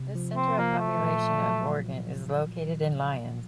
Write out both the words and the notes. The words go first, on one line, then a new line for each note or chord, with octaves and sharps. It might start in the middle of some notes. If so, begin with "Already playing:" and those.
The center of population of Oregon is located in Lyons.
Already playing: C3
F3
C4
F3 A#3
A3
A#2
F#3